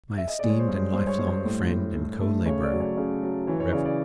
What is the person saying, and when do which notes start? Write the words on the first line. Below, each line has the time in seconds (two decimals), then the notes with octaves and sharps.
My esteemed and life-long friend and co-laborer, Rev.
0.18 E5
0.28 D#5
0.39 G#3 D5
0.50 C#5
0.59 C5
0.68 G2
0.76 C#5
0.93 G2 C5
1.07 C#5
1.19 G2 C5
1.27 C#5
1.32 C5
1.45 A2
1.70 A2
1.96 A2
2.21 A3
2.46 C#3 C#5
2.63 D5
2.72 F#3
2.80 C#5
2.97 C#3
3.23 F#3
3.47 E3 C#5
3.60 C#5
3.73 C#3 D5
3.85 D5